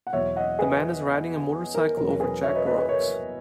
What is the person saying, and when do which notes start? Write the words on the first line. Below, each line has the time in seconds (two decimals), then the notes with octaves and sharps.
The man is riding a motorcycle over jagged rocks.
0.07 F#5
0.13 E2 B2 F#3 C#5 E5
0.36 D#5 F#5
0.59 G#4 B4
1.75 A#4
1.97 E2 B2 F#3 C#4 A#4
2.20 G#4 B4
2.43 C#5 E5
2.54 B4 D#5
2.66 B4 D#5
2.77 G#4 B4
2.89 A#4 C#5